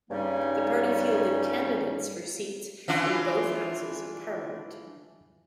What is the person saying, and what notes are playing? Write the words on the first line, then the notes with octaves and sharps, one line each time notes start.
The party fielded candidates for seats in both houses of Parliament.
G2 C#3 G3 A#3 C#4 D#4
E3 D4 F4